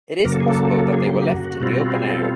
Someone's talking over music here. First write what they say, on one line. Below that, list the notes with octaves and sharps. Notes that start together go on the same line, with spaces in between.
It is possible that they were left in the open air.
F#2 C#3 F#3 A#3 A#4
A4
G#4
A4
G#4
G4
G4
F#4
B2 G3 C4 F4
G#4
A4